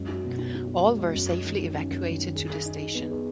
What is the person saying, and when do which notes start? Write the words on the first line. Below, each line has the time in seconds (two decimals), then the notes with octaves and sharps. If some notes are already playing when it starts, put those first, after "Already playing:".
All were safely evacuated to the station.
Already playing: F#2 G#3
0.08 F#4
0.24 B2
0.39 F#4
0.55 F#4
0.69 F#4
0.85 G#3
0.99 G#3
1.14 F#2
1.30 G#3
1.45 D#3
1.59 D#3
1.75 C#4
1.90 F#2
2.05 D#3
2.20 D#3
2.36 G#4
2.50 G#4
2.66 D#4
2.81 D#4
2.95 B3
3.11 G#4